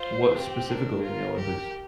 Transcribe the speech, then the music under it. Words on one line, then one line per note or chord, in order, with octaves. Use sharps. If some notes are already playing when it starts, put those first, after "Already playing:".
What specifically in the Olympics?
Already playing: F4 C5
C4 G4
D4 A#4
F4
G4